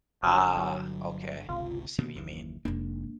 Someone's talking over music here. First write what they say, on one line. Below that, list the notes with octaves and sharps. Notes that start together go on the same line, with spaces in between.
Ah, okay, see what you mean.
G1 D3 F#3
F#3
G1 C#2 C3 F4
B2 D#3 A#3
F#1 D#2 E3
F1 G#3 A#3 D4